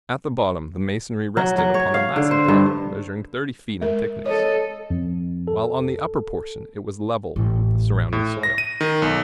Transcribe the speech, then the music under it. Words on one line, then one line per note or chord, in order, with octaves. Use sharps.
At the bottom the masonry rested upon a massive block measuring thirty feet in thickness, while on the upper portion it was level with the surrounding soil.
F#3
F#3
C#5
F5
D3
C5
G2
G#3 A#4
A4 C#5 D#5
F2
A4
A1
A2
A#6
D#7
D#3
B1